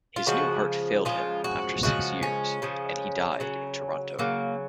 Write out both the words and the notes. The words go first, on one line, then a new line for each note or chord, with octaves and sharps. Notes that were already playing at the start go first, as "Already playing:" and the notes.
His new heart failed him after six years and he died in Toronto.
F4
C#3 F3 G#3 F#4
C#3 F3 G#3 F4
F#4
C#3 F3 G#3 F#4
C#4
C#3 F3 G#3
C#3 F#3
C#3 F#3 A#3